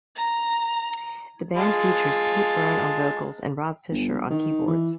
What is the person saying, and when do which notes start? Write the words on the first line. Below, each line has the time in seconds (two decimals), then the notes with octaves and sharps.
The band features Pete Byrne on vocals and Rob Fisher on keyboards.
0.15 A#5
1.57 G#3 F4 A5
3.91 G1
4.30 D#3
4.67 E3